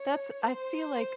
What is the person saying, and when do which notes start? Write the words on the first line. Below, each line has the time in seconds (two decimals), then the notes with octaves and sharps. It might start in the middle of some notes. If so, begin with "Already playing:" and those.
that's I feel like
Already playing: C#5
0.47 C5